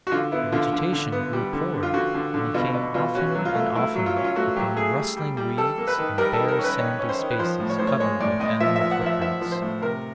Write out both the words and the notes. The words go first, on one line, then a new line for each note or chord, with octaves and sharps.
The vegetation grew poorer and he came oftener and oftener upon rustling reeds and bare sandy spaces covered with animal footprints.
F#4
D3 F4
B3 E4
D3 F4
D3
D3
B3
G3
D3
D3
F4
D3 F#4
D3
D3
B2 F4
B2
B2 F4
C#4 F#4
F#3
F4
A3
A3 E4
F#3
F4
C#4
F4
A3 F#4
F#3 G4
A3 G#4
G3
G3
G3
G3 A4
A#3
B4
D#3
G3 A#4
A4
D#3
A#4
C#4
B4
D#3 C#5
C#4
C5
D#3
B4
F3 C5
A2
C#5
A2 C5
C#5
G#3 C#5
A2 D5
A2 D#5
F3 E5
E5
F3
F#5
F3
E5
F3 E5
F3
C5
A2
C3 A#4